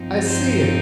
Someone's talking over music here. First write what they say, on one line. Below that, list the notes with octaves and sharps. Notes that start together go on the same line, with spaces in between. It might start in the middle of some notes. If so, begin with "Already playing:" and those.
I see it!
Already playing: G2 F3 C4 D#4
C5